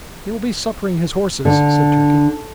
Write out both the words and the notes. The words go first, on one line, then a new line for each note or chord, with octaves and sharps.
"He'll be suppering his horses," said Turkey.
D3